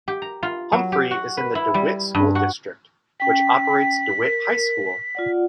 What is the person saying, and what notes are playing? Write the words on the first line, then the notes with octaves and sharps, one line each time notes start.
Humphrey is in the DeWitt School District, which operates DeWitt High School.
G4
A#5
F4
F#3
G4
F#4
B4
E4
G3
G2
F#4
C#4 G5 B6
A#4
F4 D5 F#5